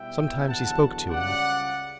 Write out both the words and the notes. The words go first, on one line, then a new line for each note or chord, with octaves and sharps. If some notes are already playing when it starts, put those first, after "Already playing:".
Sometimes he spoke to him.
Already playing: B2 G3 B3 E4 E5 G5
E2 D3 F#3 F#5 A5
C#2 C#3 G3 D5 F#5